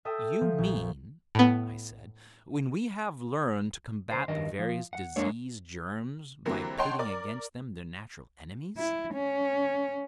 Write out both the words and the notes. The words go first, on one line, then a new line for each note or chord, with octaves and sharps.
"You mean," I said, "when we have learned to combat the various disease germs by pitting against them their natural enemies."
A4 E5 G5 D#6
F3
A#1
A2 B3
C#2 C5
G2 D#3 D#5
F3
F#5
F2 G#3 A#3 D4 C#5
D3 E3 F#3 G3 A#3 C4
C#5 D#5 F#5 G5 A5 C6
A#4 D5 D6
E4
C#4